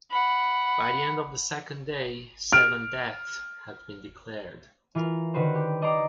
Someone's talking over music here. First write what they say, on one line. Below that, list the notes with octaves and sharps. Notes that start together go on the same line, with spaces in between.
By the end of the second day, seven deaths had been declared.
F#5 B5
F6 D7
E3 F4 A#4
D3 D#3 F#4 B4 C5
G4
D5 D#5 A5 A#5 C6 D6